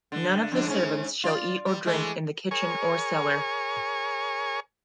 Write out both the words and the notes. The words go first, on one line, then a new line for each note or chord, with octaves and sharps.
None of the servants shall eat or drink in the kitchen or cellar.
D3
F2 D3 D4
G#2 C#4
F4 D5
G3
E3 G#3 A3
G#4 A#4 C#5 G#5 C#6